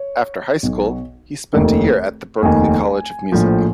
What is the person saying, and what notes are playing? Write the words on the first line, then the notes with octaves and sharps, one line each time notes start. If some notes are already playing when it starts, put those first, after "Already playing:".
After high school, he spent a year at the Berklee College of Music.
Already playing: C#5
B1 B2
F1 D#2 D#3
F1 D#2 D#3 G#5
A#1 A2 F3